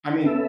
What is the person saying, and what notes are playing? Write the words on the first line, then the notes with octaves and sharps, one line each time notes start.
I mean
B3 C#4 A4 E5